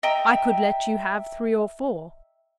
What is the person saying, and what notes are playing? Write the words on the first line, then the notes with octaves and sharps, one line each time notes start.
I could let you have three or four.
D#5 E5 G5 A#5